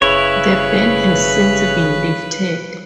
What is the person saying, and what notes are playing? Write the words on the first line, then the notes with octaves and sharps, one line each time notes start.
The ban has since been lifted.
F#1 C#3 E4 B4 C#5